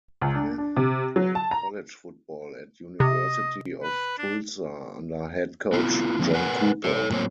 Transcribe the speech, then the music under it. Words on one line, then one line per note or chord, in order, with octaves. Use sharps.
Smith played college football at University of Tulsa under head coach John Cooper.
C#2
D4
D4
C3
F#3
A5
A#5
C3 D#5
B4
D4
B3 E4 F4
D3 F3 A#3 C4 D4
A#4 B4 F#5 G#5
A4 C#5
A2 F#3 A#3 C4 C#5